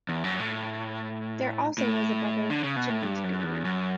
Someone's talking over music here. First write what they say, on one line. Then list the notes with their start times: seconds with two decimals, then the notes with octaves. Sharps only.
There also was a brother, James Baby.
0.09 E2
0.24 F#2
0.39 A2
1.78 A2
2.50 D3
2.63 C#3
2.76 B2
2.89 A2
3.03 G2
3.24 F#2
3.44 E2
3.65 F#2